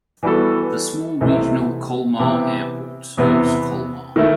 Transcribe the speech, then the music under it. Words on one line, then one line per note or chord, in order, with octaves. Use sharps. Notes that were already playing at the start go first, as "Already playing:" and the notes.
The small regional Colmar Airport serves Colmar.
E3 G3 B3 F#4 A4
C2 C3 E3 A3 D#4
C3 E3 B3 E4 G4
E2 C3 E3 B3
D#3 A3 E4